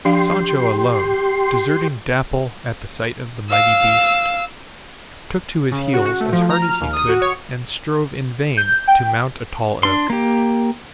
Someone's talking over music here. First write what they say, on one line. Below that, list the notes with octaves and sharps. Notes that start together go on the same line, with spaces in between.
Sancho alone, deserting Dapple at the sight of the mighty beast, took to his heels as hard as he could and strove in vain to mount a tall oak.
F3 D4 G4 F5 C6
F5 E6
C#3
F#4
F#4
A3
F3
A#5
F6
D#2
D#6
F#4
C#5
G6
G5
D4 C6
A#3 G4